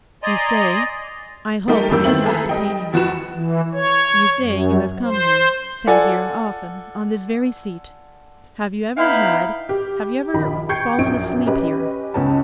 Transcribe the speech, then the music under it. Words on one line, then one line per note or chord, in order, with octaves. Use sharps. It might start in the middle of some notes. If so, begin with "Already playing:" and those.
'You say--I hope I am not detaining you--you say you have come here, sat here often, on this very seat; have you ever had--have you ever fallen asleep here?'
D5 D#5 G#5 A#5 C6
G3 A3 A#3 D#4 G4 A4
E2 G2 A#3 E6 G6
D#3 A3 B3 C4 E4 F#7
G#4 A4 B4 E5 A#5
G3 D#5 G5
E2 F3 F#4 B4 E7
E3
C#5
F#2
C5
F4 A4 D5 F#5 G#5
B3 D#4 E4 F5 G5 B5
G4
A#1 D#3 B5
G5 C#6 G6 G#6 C7 C#7
A#1 F#2 D7
C#4 G4 B4 D#5
C#2 B3 C#4 D#4 A5